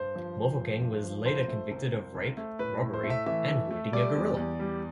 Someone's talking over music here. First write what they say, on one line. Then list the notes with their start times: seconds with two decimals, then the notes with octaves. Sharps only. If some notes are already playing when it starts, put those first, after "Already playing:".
Mofokeng was later convicted of rape, robbery and wounding a gorilla.
Already playing: G2 C5
0.16 F3
0.38 F3
0.59 G2
0.81 G2
1.04 F3
1.26 C2 C5
1.48 A3
1.71 C2
1.93 C2
2.15 C2
2.37 A3
2.59 A2 B4
2.82 A2
2.94 C5
3.03 A3
3.10 E5
3.26 E3 E5
3.49 A3
3.71 A3
3.92 G3 D5
4.15 E2
4.37 E2
4.59 G3